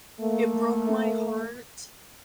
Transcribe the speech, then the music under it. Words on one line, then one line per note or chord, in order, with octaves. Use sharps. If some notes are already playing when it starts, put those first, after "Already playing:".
it broke my heart
A3 A#3